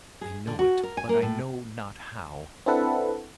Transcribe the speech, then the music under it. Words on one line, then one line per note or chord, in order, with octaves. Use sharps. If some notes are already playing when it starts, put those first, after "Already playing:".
I know it, but I know not how.
G#4
D3
F#4
A#4
G#5
A#3
A2
C4 D4 E4 A4 B4 F#5